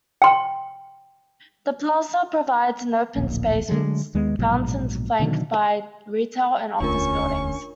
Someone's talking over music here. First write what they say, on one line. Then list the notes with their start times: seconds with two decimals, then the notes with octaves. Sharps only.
The plaza provides an open space with fountains flanked by retail and office buildings.
0.22 G5 C6
3.15 D1 A#1 A#3
3.68 D3 F#3 G#3 A3
4.15 D#2 G#3 B3
4.39 A#1 G#2 B2 F#3
5.19 B2 D3 D#3 F#3
6.80 E1 D2 A3 C#4 D4 F4 A#4 C#6